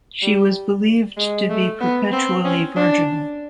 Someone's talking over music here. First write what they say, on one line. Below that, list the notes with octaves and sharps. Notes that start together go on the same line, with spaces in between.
She was believed to be perpetually virginal.
G3
G#3
A3
B3
C4
C#4
D4